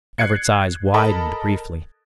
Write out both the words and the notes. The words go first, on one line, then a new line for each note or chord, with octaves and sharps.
Everts' eyes widened briefly.
F#6 G#6 C7 C#7
A4 A#4 D#5 A5 B5